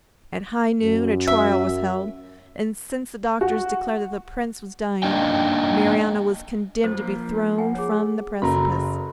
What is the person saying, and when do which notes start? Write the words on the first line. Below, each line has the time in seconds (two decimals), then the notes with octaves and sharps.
At high noon, a trial was held, and since the doctors declared that the Prince was dying, Marianna was condemned to be thrown from the precipice.
0.82 F#2
1.27 E5
3.41 F#4
5.03 A#3 D4 D#4 G5
6.84 F#2 F4 C5
6.98 F3 A#3
7.58 F#5 G#5
7.75 G#4 C#5
8.42 F#1 F#4 G#4 A4 A#5 B5